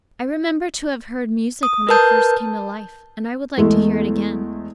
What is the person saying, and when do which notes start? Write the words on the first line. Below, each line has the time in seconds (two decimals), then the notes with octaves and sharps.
I remember to have heard music when I first came to life, and I would like to hear it again.
1.63 D#6
1.89 A#4 B4 A5 G6
3.57 E2 G#3 A3